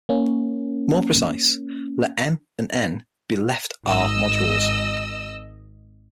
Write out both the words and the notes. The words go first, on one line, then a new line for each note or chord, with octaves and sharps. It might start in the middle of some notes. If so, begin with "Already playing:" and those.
More precise, let "M" and "N" be left "R"-modules.
A#3 C#4
G#1 D#5 E6